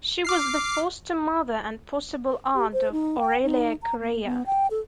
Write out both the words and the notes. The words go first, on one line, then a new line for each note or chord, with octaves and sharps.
She was the foster mother and possible aunt of Aurelia Correia.
D6 F6 C7
G4
C5
D#4
G5
D#4
A#5
A#3
B3
G5
A4